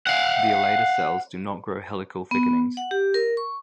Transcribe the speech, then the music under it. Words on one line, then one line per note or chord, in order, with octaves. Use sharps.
The elater cells do not grow helical thickenings.
F5 F#5
B3
F#5
G4
A#4
C#6